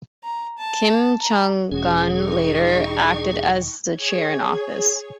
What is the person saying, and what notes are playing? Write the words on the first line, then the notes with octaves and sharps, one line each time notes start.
Kim Chung Gun later acted as the Chair-in-Office.
A#5
A5
A#5
E1 G#3 C#4 F#4 G#4
D#4 G4 C#6
G#4 C#5 G#6